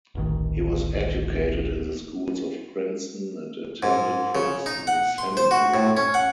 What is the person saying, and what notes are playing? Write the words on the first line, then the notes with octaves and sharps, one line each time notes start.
He was educated in the schools of Princeton and attended Princeton Seminary.
D1 A1 D#3
G#2
C#3
D#4
F#5
C6
C5
F#4
A2
C#4
F#5